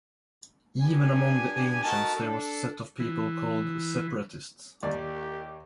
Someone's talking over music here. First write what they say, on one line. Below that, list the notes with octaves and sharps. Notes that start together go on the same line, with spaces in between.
Even among the ancients there was a set of people called separatists.
B3 D4 G4 G#5
A3 D#4 F#4 A#4 A5
D4 A4
E3
D#2 G4 D5